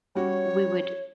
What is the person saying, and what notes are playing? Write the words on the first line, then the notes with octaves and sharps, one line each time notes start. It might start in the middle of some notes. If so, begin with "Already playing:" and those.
we would
G3 C#4 F#4 C#5